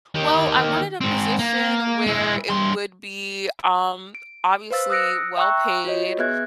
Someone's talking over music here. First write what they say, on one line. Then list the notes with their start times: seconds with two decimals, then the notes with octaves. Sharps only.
Well, I wanted a position where it would be, um, obviously well-paid,
0.15 D#3 G4
1.01 G#2 C4
1.39 A#3
2.07 G#3 E4
2.50 G2 C6
4.15 D7
4.71 B4 C5 F5 E6 A6
4.90 D#6 E6 F#6 A#6 C#7 D7
5.37 E5 G5 A#5 C#6 E6 F#6
5.85 F4 F#4 C#5 D#5
6.19 B3 G#4 B4 E5 F#6 G#6